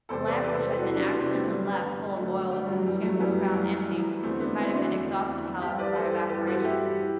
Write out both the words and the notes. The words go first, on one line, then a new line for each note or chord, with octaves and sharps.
A lamp which had been accidentally left, full of oil, within the tomb, was found empty; it might have been exhausted, however, by evaporation.
E2 C3 E3 A4 C5
B4 D5
E2 C3 E3 B4 D5
A4 C5
G4 B4
E2 C3 E3 F#4 A4
D4 F#4
E2 C3 E3 B3 D4
D4
A3 C4
G2 D3 G3 B3
G3 B3
G2 D3
G2 D3 F#3 A3
G2 D3 G3
F#3
F#2 E3 G3
F#3 A3
F#2 E3 G3 B3
F#2 E3
F#2 E3
E2 D3 A3 C4
B3 D4
E2 D3 C4 E4
E4
D4 F#4
E2 D3
E2 D3
G2 E3 E4 G4
B4 D5
G2 E3 A4 C5
G2 E3 G4 B4
F#4 A4
G2 E3 E4 G4
E3